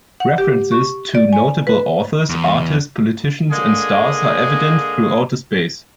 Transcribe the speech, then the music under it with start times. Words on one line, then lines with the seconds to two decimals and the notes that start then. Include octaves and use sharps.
References to notable authors, artists, politicians and stars are evident throughout the space.
0.20 F#5
0.38 G4
0.72 C#6
1.15 D5
1.33 G#5
1.67 B4
2.30 E2
3.52 D3 G#3 A#3 G#4